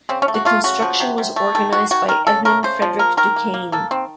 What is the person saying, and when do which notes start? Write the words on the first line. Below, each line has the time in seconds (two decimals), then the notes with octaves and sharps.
The construction was organised by Edmund Frederick Du Cane.
0.09 C#3 C4
0.22 C#4
0.28 A3
0.34 F#4
0.45 A3 F4
0.64 C#3 F#4
0.82 F3
1.00 C3
1.18 C3
1.36 A3
1.55 D#3 A4
1.73 A3 F#4
1.91 D#3 F#4
2.08 D#3 A#4
2.27 C#3 A4
2.45 A3 A#4
2.63 C#3 C5
2.82 F3
2.99 A#3 A#4
3.17 D#3 A#4
3.36 A#3
3.54 A#3
3.72 A#3 A4
3.91 D#3 C4